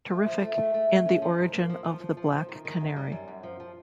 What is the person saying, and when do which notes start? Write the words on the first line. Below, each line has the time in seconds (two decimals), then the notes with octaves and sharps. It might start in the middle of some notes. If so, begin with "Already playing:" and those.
Terrific, and the origin of the Black Canary.
0.10 A3
0.26 F3
0.42 A3
0.57 A3
0.74 A3
0.89 A3
1.05 C#4
1.22 F3
1.38 G#2
1.53 A#3
1.69 F3
1.84 F3
2.00 F3
2.17 F3
2.32 F3
2.49 D#3
2.65 D#3
2.80 F#2
2.96 G3
3.12 F#2
3.28 F#2
3.43 F3
3.60 F3